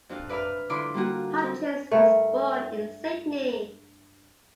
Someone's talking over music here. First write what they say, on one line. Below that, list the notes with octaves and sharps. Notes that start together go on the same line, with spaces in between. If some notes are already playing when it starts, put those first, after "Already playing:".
Hutchins was born in Sydney.
F2 D4 F4
B4 D5 E5 B5 F6
D3 E4 F4 B5 C6 D6
G3 A#3 F4 F#4
C4
G2 A3 A#4